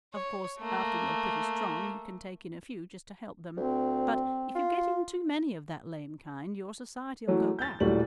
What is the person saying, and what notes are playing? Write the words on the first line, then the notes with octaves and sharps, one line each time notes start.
Of course after you're pretty strong you can take in a few just to help them; but, if you get in too many of that lame kind, your society'll go bad.
C#5
A3 A#3
D2 C4
F4
E3 F#3 A3 C#4
G6 A6
D#1 A2 F#3 G3 A3 F#7